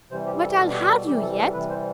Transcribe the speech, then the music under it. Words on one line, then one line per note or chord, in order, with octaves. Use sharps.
'But I'll have you yet.
C3 E3 G3 C5
G4
A4
B2 G3 A4
G4
A4
C3 E3 G3 G4
A4
A4
C3 E3 G3 B4
C5